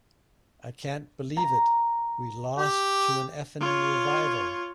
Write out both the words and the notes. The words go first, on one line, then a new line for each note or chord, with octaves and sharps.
I can't believe it; we lost to a f------ revival!
A#5
G4
F4 C#5